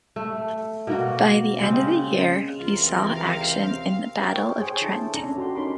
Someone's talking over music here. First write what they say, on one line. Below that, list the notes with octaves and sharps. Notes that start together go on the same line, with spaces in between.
By the end of the year, he saw action in the Battle of Trenton.
A3
B2 A#3 F#4
C#3 G#3 C4
C#2 C3 E3 F4 A#4
C4 F5
A#4 C#5 F5 G5
G#4 C5 C#5 G5
D4 E4 A4 C5 A5
C#4 D4 A4 A#5
C#4 F#4 G4 D#5 C6
C#4 D#4 A#4 B5 C6 D6